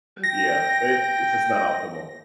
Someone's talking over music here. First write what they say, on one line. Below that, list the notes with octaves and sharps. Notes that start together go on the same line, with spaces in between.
Yeah. But it's it's just not optimal.
G5 A#6